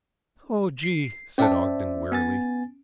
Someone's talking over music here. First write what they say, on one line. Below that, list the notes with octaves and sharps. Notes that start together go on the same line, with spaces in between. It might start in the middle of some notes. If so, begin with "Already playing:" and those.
"Oh, Gee," said Ogden wearily.
C7
C#4 C5 D5 E5 A5
B3 G#5 A6